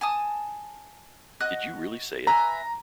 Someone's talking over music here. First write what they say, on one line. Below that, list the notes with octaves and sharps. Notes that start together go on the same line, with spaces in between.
Did you really say it?
G#5 A5 D#6
F#4 D#5 F#6
B4 E5 G#5 A#5